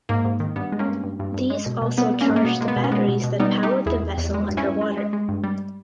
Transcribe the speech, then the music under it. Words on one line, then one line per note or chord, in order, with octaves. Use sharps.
These also charged the batteries that powered the vessel underwater.
G#2 A#3
G#2
D#3
G2 B3
G#3
A#3 C#4
G2
G2
G2
G2
G#3
B2
B2
G3 B3
G3
A#3 C#4
G#2
A#3
B2 B3
G#3 A#3
B3
B2
C#4
G#3 B3
B2
B2
G3 B3 D#4
G3
D#4 G4
G3
E2 E4 G#4
E2
E2
G#3
G2
C#4 E4
G2
G#3
G#3
G#3
G2
G3